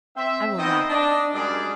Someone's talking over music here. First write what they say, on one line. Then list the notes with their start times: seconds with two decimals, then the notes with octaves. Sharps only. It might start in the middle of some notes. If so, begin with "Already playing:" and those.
I will not.
0.16 C4 E5
0.58 D#3 B3 C4 C5 D#5
0.90 D4 D#5
1.33 F#2 G3 G#3 D4 G#4 D5